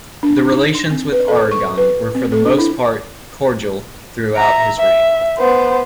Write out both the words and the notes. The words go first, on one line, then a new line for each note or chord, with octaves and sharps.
The relations with Aragon were for the most part cordial throughout his reign.
D4
D#4
C6
C4
B4
A4
C#6
B4
C4
A4
D4
E4
E5 A#5
E5
B3 C5